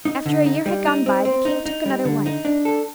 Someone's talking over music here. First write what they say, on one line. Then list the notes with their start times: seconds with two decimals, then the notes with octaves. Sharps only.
After a year had gone by, the king took another wife.
0.05 D#4
0.26 D3
0.46 D#4
0.66 G3
0.86 D#4
1.06 C4
1.25 C4
1.45 D#4
1.66 D#4
1.86 G3
2.05 D3
2.26 D#4
2.45 D4
2.65 A4